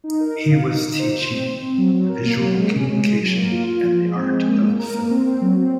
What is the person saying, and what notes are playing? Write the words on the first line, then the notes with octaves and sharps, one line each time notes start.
He was teaching visual communication and the Art of Film.
D#4
A#4
D#4
F5
D#4
D#4
C5
C5
C4
C4
C4
F#3
F#3
A#4
A#3
F#3
G#3
C#4
G#3
G#3
F#3
A#3
F4
F4
F3
G#3
C4
G#3
A#3
A#3
A#4
A#3
C4
C4
F#3
C4